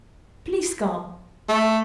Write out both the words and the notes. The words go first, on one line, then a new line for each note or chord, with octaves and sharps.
Please come!
A3